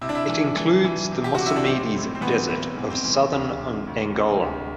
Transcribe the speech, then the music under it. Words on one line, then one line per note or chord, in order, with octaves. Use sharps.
It includes the Mossamedes Desert of southern Angola.
C3 E4
D4
E4
E3
E3
E3
C3
G4
C3 F#4
E4
D4
B1 C4
A2
C4
E3 B3
B1 B3
E3
C4
E3
D2
C3
D2
C3
D2